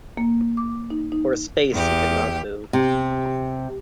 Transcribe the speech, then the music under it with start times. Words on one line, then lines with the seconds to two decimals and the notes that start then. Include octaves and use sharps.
For a space he could not move.
0.17 A#3
0.57 D6
0.90 D#4
1.12 D#4
1.73 E2 G4
2.73 C3